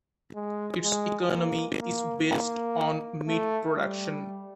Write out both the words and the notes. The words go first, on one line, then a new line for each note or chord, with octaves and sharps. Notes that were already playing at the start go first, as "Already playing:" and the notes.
Its economy is based on meat production.
G#3
G#3
A#3
A#3
A#3
A3
G3